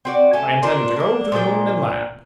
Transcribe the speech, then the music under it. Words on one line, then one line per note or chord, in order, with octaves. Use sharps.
I intend to go to the moon and land.
C4 F#4 D5
A3 C#4 G#5 A5
C4 D4 F4 A#4
A#3 D4
A#2 F3 D4 G5